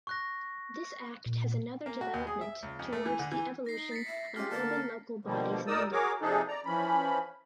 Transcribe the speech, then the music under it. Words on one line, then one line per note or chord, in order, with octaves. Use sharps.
This act has another development towards the evolution of urban local bodies in India.
C#6 F#6 A#6
A#2
A#3
F#4
D#2
G#4
E5
C#2
F2
A3
E3
D3
E3
D#4 A#6 C7
A6 B6 C#7
E5
G#3 C#4 F4 G4 F6
D3 A#3 A#4 A5
B2 D3 F3 G3 A#3
D2 D#4 A#4 D5 D#6 E6
F#4 G#4 A#4 C#5 D6
C3 F3 D4 D#4 G#4 A4
D5 A#5
E3 F3 C#4 B5